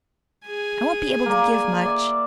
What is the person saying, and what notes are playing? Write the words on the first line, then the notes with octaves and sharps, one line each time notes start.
I won't be able to give much.
G#4 G#5
A#3 D5
D5 E5 D6